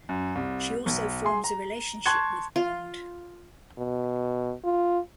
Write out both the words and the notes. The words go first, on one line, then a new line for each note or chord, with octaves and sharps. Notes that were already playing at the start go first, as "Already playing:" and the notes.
She also forms a relationship with Bond.
F#2
C2
B1
G#4 C6
A#5
A5 C6 C#6 F#6 G#6 C#7
F4
B2
F4